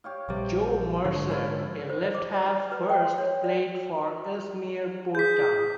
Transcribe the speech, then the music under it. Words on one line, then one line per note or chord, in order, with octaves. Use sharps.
Joe Mercer, a left-half, first played for Ellesmere Port Town.
G4 C#5 F5
A#1 C3 G3 D6
G#2 D3 F3 C#5
C#4 E4 F4
C5
D#5
D6
D5
D5
B4
G5
C6
C#5
D5
G#4 G6 B6